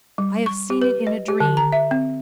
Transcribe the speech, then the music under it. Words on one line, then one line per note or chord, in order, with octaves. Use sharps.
I have seen it in a dream.
G3
C#6
G4
B4
D#5
G4
D3
A#5
E5
C4